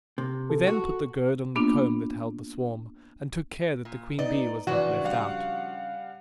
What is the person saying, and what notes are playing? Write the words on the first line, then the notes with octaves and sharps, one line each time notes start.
We then put the gourd on the comb that held the swarm, and took care that the queen bee was not left out.
C3
A4
F#4
A#3 B3 D4 F4
A#2
B3 D#4 D5
C#3 E3 F3 D4 F#4
G3 F5 F#5